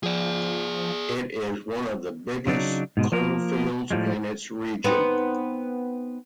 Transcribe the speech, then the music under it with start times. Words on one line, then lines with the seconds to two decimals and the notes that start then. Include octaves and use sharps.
It is one of the biggest coal-fields in its region.
0.03 F3 G#4 D5
2.47 C#3 F#3 D4 D#4
2.97 G#2 B2 G#3
3.12 F3 A#3 A#4
3.91 A2 F3 G3 G#3
4.84 B3 C4 D#4